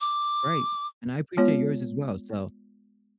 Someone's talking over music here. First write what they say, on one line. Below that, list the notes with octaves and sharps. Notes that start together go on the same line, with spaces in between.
Right, and I appreciate yours as well, so,
D6
G#3 B3 F4 C#5